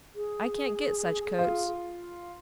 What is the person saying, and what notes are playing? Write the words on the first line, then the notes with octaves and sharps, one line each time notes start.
I can't get such coats.
G#4
F4